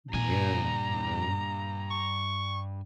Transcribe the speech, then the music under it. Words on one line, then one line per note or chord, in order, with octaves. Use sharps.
Yeah, you know,
G2 A#2 G#5 A#5
C#6